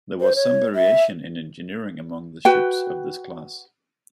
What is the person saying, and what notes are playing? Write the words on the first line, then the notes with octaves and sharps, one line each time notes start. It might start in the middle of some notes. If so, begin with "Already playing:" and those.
There was some variation in engineering among the ships of this class.
C5
C#5
E5
F#4 B4 G5